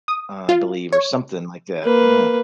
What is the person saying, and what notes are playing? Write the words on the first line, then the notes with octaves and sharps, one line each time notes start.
I believe, or something like that. Yeah.
D#6
F4
C#5
A#3 B4